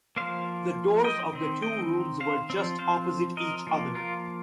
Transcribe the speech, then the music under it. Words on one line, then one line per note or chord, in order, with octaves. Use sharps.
The doors of the two rooms were just opposite each other.
F3 A#3 C5 F5
D#5 G5
D#3 C4
D#5 G5
C5 F5
F3 C4
C5 F5
A#4 D#5
F3 A#3
F4 A#4